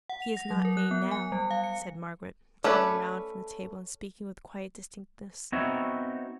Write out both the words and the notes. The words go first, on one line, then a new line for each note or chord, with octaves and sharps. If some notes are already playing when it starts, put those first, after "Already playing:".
'He is not vain now,' said Margaret, turning round from the table, and speaking with quiet distinctness.
F#5
F7
A#6
F#3
A#4
F#6
B3
G#5
G3
F5
C#7
A3 C#4 A4 B4 D5
B3 C4 D#4 F#4 C#5 E5